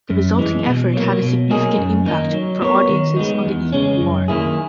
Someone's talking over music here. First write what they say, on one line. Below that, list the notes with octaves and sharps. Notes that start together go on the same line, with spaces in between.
The resulting effort had a significant impact for audiences on the eve of war.
F#2
E3 G#3
B2
F#3 A#3
B2
F#3 A#3 D#4 G#4
F#2
D#3 A#3 D#4
F#3
B3 F#4 A#4 C#5
D#3
G#3 B3 D#4
E2
C#3 G#3 C#4
F#2
D#3 A#3 E4 G#4